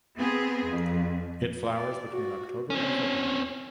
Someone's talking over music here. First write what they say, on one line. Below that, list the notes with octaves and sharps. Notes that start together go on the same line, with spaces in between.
It flowers between October and February.
B3 C4 G#4
F2
D5
F#4
C4 C#4